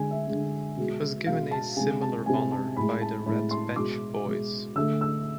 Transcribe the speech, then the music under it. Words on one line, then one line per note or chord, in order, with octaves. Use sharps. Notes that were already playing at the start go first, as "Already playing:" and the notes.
He was given a similar honour by the Red Patch Boys.
Already playing: D3 G#3 G#5
E5
D3 G#3
B2 G#3
B2 G#3 F5
A5
C3 G#3 G#5
A5
C3 G#3 G#5
A5
A2 G#3 B5
A5
A2 G#3 B5
C6
B2 G#3 D6
B2 G#3
D3 A3 E6
E6